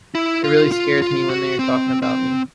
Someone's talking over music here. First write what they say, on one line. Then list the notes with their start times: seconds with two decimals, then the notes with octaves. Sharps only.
It really scares me when they are talking about me.
0.15 E4
0.44 F4
0.72 F4
1.02 F4
1.30 F#4
1.59 C4
2.02 C4